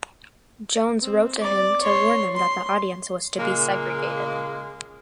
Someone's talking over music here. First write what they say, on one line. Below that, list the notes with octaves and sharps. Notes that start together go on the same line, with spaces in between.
Jones wrote to him to warn him that the audience was to be segregated.
C4
D5
C#5 C6
C6
A#2 C#3 G#3 A#3